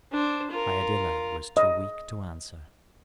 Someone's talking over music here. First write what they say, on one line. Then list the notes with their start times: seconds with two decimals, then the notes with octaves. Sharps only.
Iadilla was too weak to answer.
0.11 D4 C5
0.51 F4 A#4
1.57 D#5